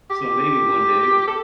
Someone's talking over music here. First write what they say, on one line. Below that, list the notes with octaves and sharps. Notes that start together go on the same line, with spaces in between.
So, maybe one day.
G4
A4